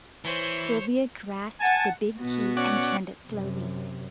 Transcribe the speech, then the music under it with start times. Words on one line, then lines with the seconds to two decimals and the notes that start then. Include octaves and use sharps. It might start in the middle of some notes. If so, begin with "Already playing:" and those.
Sylvia grasped the big key and turned it slowly.
0.25 E3 C5 C#5
1.60 F#5 G#5 A5
2.20 B2 B3 F#4
2.57 C#4 D5 F#5
3.28 F#2 C3